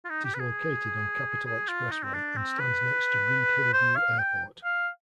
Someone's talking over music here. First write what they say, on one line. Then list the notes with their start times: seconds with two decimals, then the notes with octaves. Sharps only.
It is located on Capitol Expressway and stands next to Reid-Hillview Airport.
0.05 F4
0.09 D#4
0.25 G4
0.34 B4
0.40 G#4
1.46 G#4
1.69 F4
1.91 D#4
2.04 C4
2.14 D4
2.37 C4
2.60 B4
3.73 C5
3.96 F5
4.19 G5
4.64 F5